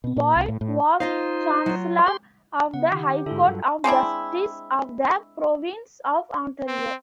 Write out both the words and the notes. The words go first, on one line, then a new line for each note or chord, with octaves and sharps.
Boyd was Chancellor of the High Court of Justice of the Province of Ontario.
B2
A#2
C2
A2
A2
D#4 F4 C5 D#5 F5
F#3 F4
G4 C6
C#3 B3 F#5
D#3 G4
G#2 D3 E4 F4 A4
G2 F#3
G#3 C4 D4 E4
C4